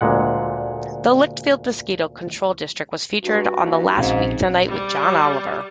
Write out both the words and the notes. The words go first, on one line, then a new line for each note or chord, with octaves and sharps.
The Litchfield Mosquito Control District was featured on "Last Week Tonight with John Oliver".
D2 A#2 G#3 F#5
G2 F#4
D#2
A#1 G#2 C4 C#4 F5
G3